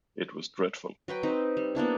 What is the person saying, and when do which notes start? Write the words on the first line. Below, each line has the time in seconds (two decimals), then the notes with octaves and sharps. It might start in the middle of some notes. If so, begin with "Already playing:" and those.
It was dreadful.
1.08 F#3 B4 G5 B5
1.23 C4 D#4 B4
1.57 G3
1.75 A#3 B3 D4 E4